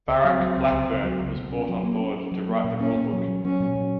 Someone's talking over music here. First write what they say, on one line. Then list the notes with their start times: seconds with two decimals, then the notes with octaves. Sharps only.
Barak Blackburn was brought on board to write the rulebook.
0.08 C#2
0.24 F#3 C4
0.40 F#3
0.56 C#2
0.72 C#2
0.88 C#2
1.03 F#3
1.19 C#2
1.36 B2
1.53 C#4
1.69 F#3
1.84 A#3
2.00 C#4
2.16 C#4
2.32 F#3
2.48 A#3
2.64 A#2
2.80 A#3 C#4
2.96 A#2
3.13 F#3
3.28 F#3
3.45 F#3 C#4
3.60 A#2
3.76 F#3